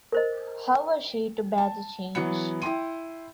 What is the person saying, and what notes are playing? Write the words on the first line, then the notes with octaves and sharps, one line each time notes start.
How was she to bear the change?
A#4 C5 D#5
A5
E3 F#3 B3 C#7
E4 G5 C6 D#7